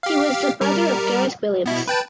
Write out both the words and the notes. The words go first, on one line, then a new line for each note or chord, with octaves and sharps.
He was the brother of Gareth Williams.
G4 F5
G3 A#4
B2 E4
B4 G5 A5